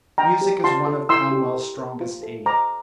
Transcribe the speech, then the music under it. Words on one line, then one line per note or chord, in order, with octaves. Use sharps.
Music is one of Conwell's strongest aids.
D4 G5 A#5
G4
F4 A5 C6
A4
E4 C6 E6
G4
A#4
A#4
F4
A4
C5 A#5 D6